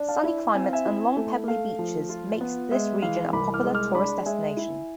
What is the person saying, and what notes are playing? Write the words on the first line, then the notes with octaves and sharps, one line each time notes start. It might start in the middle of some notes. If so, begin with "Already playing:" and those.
Sunny climate and long pebbly beaches make this region a popular tourist destination.
Already playing: D4
F5 A5
E4
C4 G#5
F5
E5 G#5
E4
A3
A3 F5
F3
F4
B3
G#3 E5
E3 F5
C2 B5 D6
D6 F6
G#3
D6 F6
D4 B5 D6
G#3 E5 G#5
E4